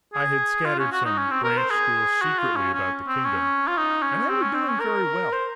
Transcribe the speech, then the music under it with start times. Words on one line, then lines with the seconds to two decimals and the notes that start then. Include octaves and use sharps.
I had scattered some branch schools secretly about the kingdom, and they were doing very well.
0.13 G#4
0.65 F4
0.79 C#4
0.92 F#4
1.05 D#4
1.18 C#4
1.31 C4
1.43 A#4
1.57 C5
1.70 G#4
2.22 F#4
2.38 F4
2.56 C#4
2.74 C#4
3.07 C4
3.25 C#4
3.67 F4
3.77 D#4
4.02 C#4
4.29 C4
4.42 C#4
4.54 C4
4.68 C#4
4.80 A#4
5.32 C5